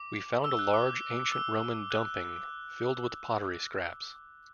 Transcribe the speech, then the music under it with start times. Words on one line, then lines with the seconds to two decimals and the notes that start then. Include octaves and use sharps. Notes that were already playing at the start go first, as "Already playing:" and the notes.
We found a large ancient Roman dumping filled with pottery scraps.
Already playing: D6
0.44 E6
0.59 F#6
0.74 D6
1.32 E6
1.91 F#6